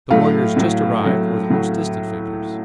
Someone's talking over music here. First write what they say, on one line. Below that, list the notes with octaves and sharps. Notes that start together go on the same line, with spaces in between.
The warriors just arrived were the most distant figures.
A2 F#3 A3 F5
A2 F#3 A3
A2 F#3 A3
A2 F#3 A3